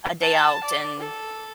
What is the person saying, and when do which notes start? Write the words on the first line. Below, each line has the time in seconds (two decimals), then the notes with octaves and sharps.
a day out, and
0.22 A5
0.64 D5
1.00 A4